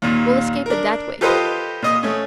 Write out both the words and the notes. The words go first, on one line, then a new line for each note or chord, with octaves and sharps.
We'll escape it that way.
D#2 A#2
D4 A#4
F4 G4 A4 B4 C5 D#5
A#2 D#5 D#6
A3 C#4